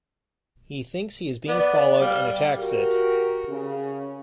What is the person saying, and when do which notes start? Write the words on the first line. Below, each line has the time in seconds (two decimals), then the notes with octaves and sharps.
He thinks he is being followed and attacks it.
1.48 B3 D5
2.00 G3 F5
2.59 F#4 G4 A#4
3.49 C#3